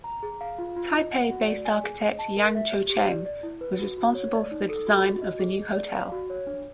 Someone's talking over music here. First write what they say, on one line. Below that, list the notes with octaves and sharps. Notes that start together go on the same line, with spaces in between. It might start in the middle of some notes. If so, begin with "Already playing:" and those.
Taipei-based architect Yang Cho-Cheng was responsible for the design of the new hotel.
A#5
G#4
F5
F4
F4
D#5
F#5
F#4
D5
G#5
G#4
D#5
A5
A#4
E5
G4
G4
D5
D5
E4
B4
F#4
F#4
C#5
D5
D#4
A4
F#4
F#4
D#5
G#4
G#4
D5
F5
F#4
C#5
D4